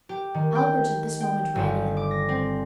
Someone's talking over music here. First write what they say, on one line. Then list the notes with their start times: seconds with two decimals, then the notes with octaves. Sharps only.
Albert at this moment ran in.
0.09 G4
0.34 D#3
0.55 G5
1.20 G5
1.55 G1
1.97 D6
2.11 A#6
2.29 C4